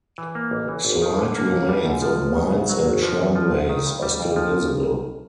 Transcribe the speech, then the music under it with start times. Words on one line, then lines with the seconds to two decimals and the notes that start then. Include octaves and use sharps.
Slight remains of mines and tramways are still visible.
0.18 E3
0.35 A#3
0.51 A1
0.68 E3
0.85 G#1
1.02 D#3
1.19 D3
1.35 A#3
1.51 D#2
1.69 G3
1.86 F#2
2.02 F3
2.19 G1
2.35 C#3
2.52 C2
2.69 F#3
2.86 G#1
3.02 F3
3.19 E2
3.36 F3
3.53 C2
3.69 D#3
3.86 G2
4.03 G3
4.20 F2
4.36 F3